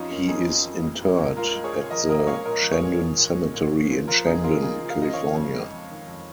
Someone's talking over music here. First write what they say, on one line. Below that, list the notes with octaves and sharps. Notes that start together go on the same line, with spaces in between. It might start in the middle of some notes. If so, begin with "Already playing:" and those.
He is interred at the Shandon Cemetery in Shandon, California.
Already playing: F2 F3 C#4 D#4 F4
A#3 C#4
F2 D#4 G#4
F3
F2
G#3
A#2
A#2
G#3 F4 A#4
G#3
G#4 C#5
A#2
F3 A#4 D#5
A#2 A#4 D#5
G#3 C#5 F5
A#2 A#4 D#5
F3
G#4 C#5
A#2
F3
A#2
G#3
A#2
F3
A#2
F3 F4 A#4
C#3 D#4 G#4
A#3 F4 A#4
C#3 D#4 G#4
F3
F5
C#3 D#5
D#3 C#5 F5
F2
G#3
F2
D#3
F2